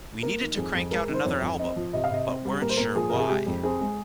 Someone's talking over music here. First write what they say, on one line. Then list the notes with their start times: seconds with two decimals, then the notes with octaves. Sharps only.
We needed to crank out another album, but weren't sure why...
0.23 A#3 A#4
0.41 D#3
0.57 F2 G#4
0.74 F2
0.91 G#3 A#4
1.09 D#3
1.14 C5
1.25 F2 C#5
1.42 F2
1.59 C4 D#5
1.76 F3
1.93 C3 D#5
2.04 F5
2.10 C3 D#5
2.28 C4
2.45 G3
2.61 A#2 A#4
2.69 C5
2.77 A#2 A#4
2.96 F3 G#4
3.09 C3 A#4
3.19 G#4
3.29 G#3 G4
3.46 F2
3.63 C4 G#4
3.81 G#3